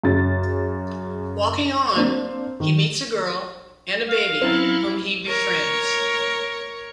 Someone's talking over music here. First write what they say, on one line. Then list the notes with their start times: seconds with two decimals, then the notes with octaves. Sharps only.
Walking on, he meets a girl and a baby, whom he befriends.
0.04 F#2 C#3 C#4 A6
1.95 A#3 C4 D4 C5
2.60 D#3
4.08 F5
4.42 F#3 C4 C#4 E4 C5 A#5 A6
5.26 A#4 C#5